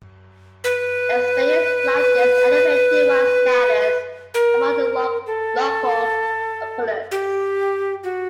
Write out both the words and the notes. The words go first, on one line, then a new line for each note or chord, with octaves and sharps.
Experience like this elevated Wang's status among the local populace.
B4
A#4
A4
G4
F#4